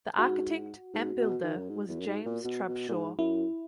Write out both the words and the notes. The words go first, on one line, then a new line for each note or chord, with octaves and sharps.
The architect and builder was James Trubshaw.
G#2 F#4
G#2
B2
D#3
F#2
G#2
E2
F#2
G#2
A#2
B2
B2
A#2
G#2
F#2 E4